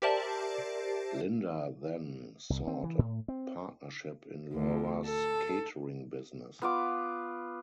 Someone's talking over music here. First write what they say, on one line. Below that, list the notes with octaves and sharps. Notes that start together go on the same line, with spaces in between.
Linda then sought a partnership in Laura's catering business.
G4 A#4 C5 D5 E5 A5
C2
C4
E3
A2
C4
D2
A4
B3 F4 D6